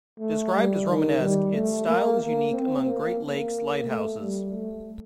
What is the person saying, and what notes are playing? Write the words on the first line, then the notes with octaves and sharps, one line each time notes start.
Described as Romanesque, its style is unique among Great Lakes lighthouses.
A3
G3
D#3
G3
A3
A#3
A#3
C4
A#3
A#3
A3
G3
A3